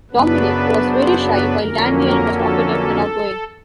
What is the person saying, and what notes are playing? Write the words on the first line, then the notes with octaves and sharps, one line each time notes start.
Dominique was very shy while Danielle was talkative and outgoing.
F#2 C#3 F#3 B3 D4 B4
C5
B4
F2 D3 F#3 A#3 C#4 A#4
A#4
A4